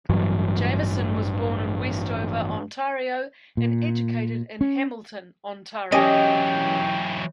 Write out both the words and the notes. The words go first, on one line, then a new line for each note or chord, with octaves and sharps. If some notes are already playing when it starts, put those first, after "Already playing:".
Jamieson was born in Westover, Ontario and educated in Hamilton, Ontario.
A1 G2 E3 F#3
A#2
C#4
E3 F#3 C#4 G4 D#5 G5 G#5